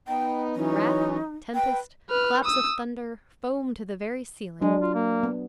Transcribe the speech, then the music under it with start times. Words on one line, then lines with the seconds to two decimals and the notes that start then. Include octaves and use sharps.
Wrath, tempest, claps of thunder, foam to the very ceiling.
0.08 B3 D#4 G5
0.56 E3 F#3 C#4 D#4
1.55 B4 G5
2.10 B4 F6
2.44 D#6 E6
4.62 F#3 G#3 D4
4.82 F4
4.94 A#3
5.23 B3